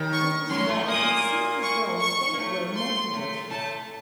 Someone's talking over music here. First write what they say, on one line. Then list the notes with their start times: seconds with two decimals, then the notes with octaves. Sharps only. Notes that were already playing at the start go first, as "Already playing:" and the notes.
What is more, it seemed as though fate were mocking at him.
Already playing: D#2 D#3
0.13 C#6
0.50 F#2 F#3 C6
0.60 F#3
0.68 A2 A3
0.88 A#2 A#3 D#6
1.62 C#6
2.00 C#6
2.33 A#3
2.38 A2 A3
2.75 C6
3.13 A2 A3
3.50 A2 A3 A5